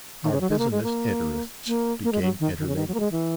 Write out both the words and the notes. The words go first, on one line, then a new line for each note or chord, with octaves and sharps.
Our business interests became intermingled.
D#3
C#3
F#3
G#3
A#3
G#3
A#3
A#3
A#3
G#3
F#3
D#3
D#3
C#3
D#3
F#3
A#3
G#3
E3